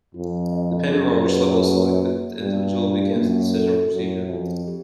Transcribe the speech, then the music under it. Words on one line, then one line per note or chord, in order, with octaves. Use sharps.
Depending on which level is selected, the individual begins the decision procedure.
F2 F4
D#5
F#2 G#4
B4
A#3
A#3
G2 D4
F4
F#2 A#3
A4
F#2 C#4
F2 F#4
G4